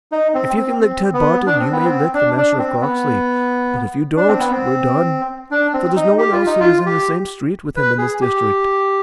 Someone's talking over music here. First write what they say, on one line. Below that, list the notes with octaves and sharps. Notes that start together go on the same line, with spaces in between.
If you can lick Ted Barton you may lick the Master of Croxley, but if you don't we're done, for there's no one else who is in the same street with him in this district.
D#4
C4
C4
C4
B3
D4
C4
B3
C4
D4
D4
C4
B3
D4
C4
B3
C4
D4
C4
D#4
G4
F4
D#4
F4
G4
B4
G#4
G4